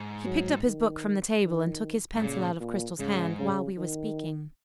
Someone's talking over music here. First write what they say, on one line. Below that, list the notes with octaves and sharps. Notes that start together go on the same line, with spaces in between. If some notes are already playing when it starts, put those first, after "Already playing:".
He picked up his book from the table, and took his pencil out of Cristel's hand, while we were speaking.
Already playing: G#2
F#3
D#3
D#3
G#2
A#2 C#3
A#2
G#2 C#3
C#3
D#3